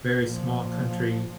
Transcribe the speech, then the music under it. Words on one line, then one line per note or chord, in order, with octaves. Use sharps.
very small country
A#2 F3